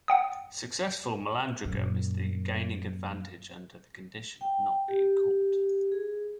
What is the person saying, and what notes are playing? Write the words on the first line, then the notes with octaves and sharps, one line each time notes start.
Successful malandragem is gaining advantage under the condition of not being caught.
F#5 G5 D#6
F#2 A#2
G5
G4
G#4